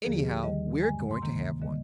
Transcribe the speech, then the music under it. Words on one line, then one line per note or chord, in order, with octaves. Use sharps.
Anyhow, we're going to have one.
D#2 D3 F3 A#3 G#4
G4
G#4
D#2 D#3 G3 D#5
G2 D3 G#3 G#5
C6
D2 C3 D#3 A#3 A#5
D3 G3 A#3 D#5